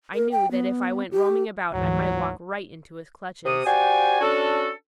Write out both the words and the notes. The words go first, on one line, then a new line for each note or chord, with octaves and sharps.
I knew that if I went roaming about I might walk right into his clutches.
A#4
G5
B3
G4
D2 G#2 E3 F#3
C3 D#6
F#4 G4 C5 D5 G#5
C#4 D4 F#4 A4